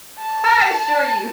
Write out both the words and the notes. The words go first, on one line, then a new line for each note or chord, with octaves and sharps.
I assure you.
A5